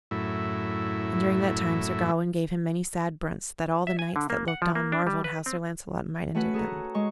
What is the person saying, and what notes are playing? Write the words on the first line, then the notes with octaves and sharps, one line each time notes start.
And during that time Sir Gawain gave him many sad brunts, that all the knights that looked on marvelled how Sir Launcelot might endure them.
F#2 A2 E4
E5
G#5
D3
A#3
F#5
F3
A#3
D4
G3
B4
C4
A3 C#4 F#4 B4 F#5
G#4 A4 A#5
G#3 C#6